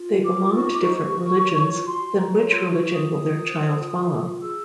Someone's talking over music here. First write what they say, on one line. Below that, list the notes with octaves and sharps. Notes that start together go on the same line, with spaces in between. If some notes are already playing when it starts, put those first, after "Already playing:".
They belong to different religions, then which religion will their children follow?
Already playing: F4
A#4
A#4 D6
F4
D#4 C#6
D#4 D6
C#6
C5
G4
A#4
C#5
C#5
F4
F#4 C6
F#4
F#4 A#5
C#5
F4 C6
F4
C#6
F4
A4 D#6
G#4 D#6
F4
C5
C5
F4
F4
F4
F4
G#4 E6